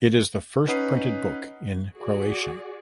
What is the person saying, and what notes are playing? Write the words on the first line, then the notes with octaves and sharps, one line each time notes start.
It is the first printed book in Croatian.
C#4 D#4 B4 F#5 D#6 C7
F#4 G#4 D5